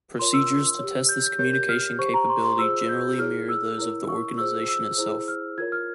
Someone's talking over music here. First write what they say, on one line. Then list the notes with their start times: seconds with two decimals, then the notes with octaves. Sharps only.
Procedures to test this communication capability generally mirror those of the organization itself.
0.19 F4 A#4 C#5 C6
0.34 E6
0.79 G4 C#5
1.09 G6
1.24 G6
1.39 G4 A#4 C#5 G6
1.54 G6
1.69 F6
1.98 G4 C5 C#6
2.14 A#5
2.29 C6
2.44 C6
2.59 F4 G#4 C5 E6
2.89 G6
3.18 E4 G#4 C#5 F6
3.49 E6
3.78 E4 A#4 C#5
4.08 C#6
4.38 F4 G#4 C5 E6
4.69 E6
4.98 E4 G#4 C5
5.28 F6
5.58 F4 A#4 C#5 G#6
5.72 F6